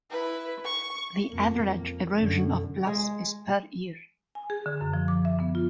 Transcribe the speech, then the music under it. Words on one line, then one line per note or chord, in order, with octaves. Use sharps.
The average erosion of bluffs is per year.
E4 B4
C#6
F2 A#3
F#2 D3
G#3
G#5
G#4
D3
F#2
F3
D6
E5
B3
F4